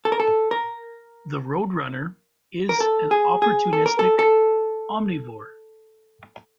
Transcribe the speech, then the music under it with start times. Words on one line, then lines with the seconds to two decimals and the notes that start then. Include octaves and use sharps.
The roadrunner is an opportunistic omnivore.
0.05 A4
0.12 A#4
0.20 A4
0.51 A#4
2.69 A#4
2.80 A4
3.11 G#4
3.42 G#4
3.73 A4
3.86 A#4
3.99 A4
4.19 A4